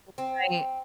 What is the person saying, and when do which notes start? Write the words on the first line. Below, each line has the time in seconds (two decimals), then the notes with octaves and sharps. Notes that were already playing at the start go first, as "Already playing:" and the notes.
R right.
0.18 C4